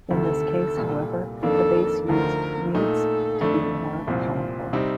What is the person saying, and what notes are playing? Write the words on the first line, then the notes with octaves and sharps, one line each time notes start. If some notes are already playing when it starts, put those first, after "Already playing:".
In this case, however, the base used needs to be more powerful.
D2 C3 D#3 A4
C2 A#2 G3
F2 D#3 A#3 D4 A4
D2 D3 F3 A3 D#4 A#4
A#2 A3 D#4 A4
F2 D3 A3 D4
C2 A#2 F3 C4
C3 G3 C4 D#4